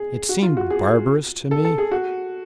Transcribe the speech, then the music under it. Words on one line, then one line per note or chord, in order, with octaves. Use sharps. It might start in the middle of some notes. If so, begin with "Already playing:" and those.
It seemed barbarous to me.
Already playing: G#4
F#4
F4
F#4
G#4
A4
A4
G#4
F#4